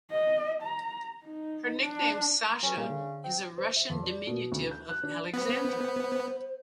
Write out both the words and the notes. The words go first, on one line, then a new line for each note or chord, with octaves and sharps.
Her nickname "Sasha" is a Russian diminutive of "Alexandra".
D#5
A#5
D#4
D4
A#5 C6 D#6
F#3 C#4 A4 B4
A#2 C#3 G3 A#3
D3
C4
C5
E5
F2
D5
B2
D2
G6
F#6
D4
B3 C5